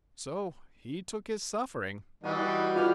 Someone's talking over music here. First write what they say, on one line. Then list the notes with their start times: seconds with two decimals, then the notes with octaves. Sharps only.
So 'he took his suffering.'
2.24 E3 G3 D#4 F#4 D#5 G#5
2.76 B3 F4 G#4 D5 G5 F6